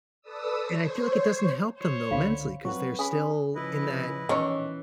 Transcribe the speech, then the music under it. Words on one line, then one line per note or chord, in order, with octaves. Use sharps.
And I feel like it doesn't help them, though, mentally, 'cause they're still in that
A4 B4 D5 D#6 E6
C5 C#5
C5 C#5
C#2 D3 F5 B5
F#3 C4 F#4 B4 C#6
C#4 G#4 G#5 B5 D#6
C#3 F3 E4 B4 D#5
B2 D#3 E3 C#4 C#5